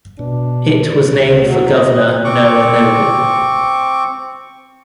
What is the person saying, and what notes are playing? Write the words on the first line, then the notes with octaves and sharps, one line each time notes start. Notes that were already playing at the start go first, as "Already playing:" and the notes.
It was named for Governor Noah Noble.
B2 D4
D2
F#3
D#5
C4 C#6 D6